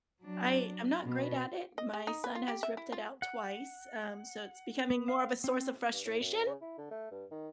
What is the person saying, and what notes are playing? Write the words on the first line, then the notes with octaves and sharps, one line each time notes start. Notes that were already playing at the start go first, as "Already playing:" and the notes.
I I'm not great at it. My son has ripped it out twice, um, so it's becoming more of a source of frustration,
F#3 D4
B2 B3
D#5
G#3
D#4
B4
F4
G4
E5
E4
F4
F#5
B3
F5
C4
G2
A2
F#2
C#3
E4
D3
A3
G2
D#3